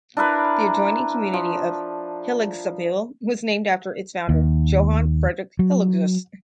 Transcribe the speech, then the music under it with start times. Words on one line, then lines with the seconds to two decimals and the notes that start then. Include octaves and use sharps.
The adjoining community of Hillegassville was named after its founder Johann Frederick Hillegass.
0.17 D4 E4 A#4 B4
1.33 F3
4.29 D#2
5.59 F#3